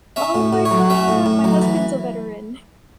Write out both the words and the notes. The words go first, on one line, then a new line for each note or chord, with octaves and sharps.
Oh my god! My husband's a veteran.
C#4 E5
A2
A2
C#5
F#3
C#4 E5
A2
A2
F#3
E3